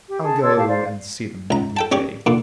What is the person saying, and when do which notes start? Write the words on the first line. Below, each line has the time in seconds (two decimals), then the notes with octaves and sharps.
I'll go and see them every day.
0.09 G4
0.23 G#4 A5
0.42 A4 C#5 C6 E6
0.56 G4 F5 A5
0.68 C5 D5 F5
1.50 C#2 A#5
1.77 A4 G5 A5
1.92 C#4 G4 C#5 D5
2.26 A#2 D3